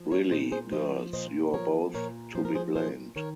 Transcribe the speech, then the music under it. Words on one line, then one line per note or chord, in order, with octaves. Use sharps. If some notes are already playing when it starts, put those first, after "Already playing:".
Really, girls, you are both to be blamed.
Already playing: F3
A#4 C#5
A#2 C5 D#5
G#4 C5
F3 C5 D#5
A#2 C5 D#5
F3 A#4 C#5
A#2 A#4 C#5
F3 C5
A#4
G#4 C5
A#2 G#4 C5
D#3 A#4 C#5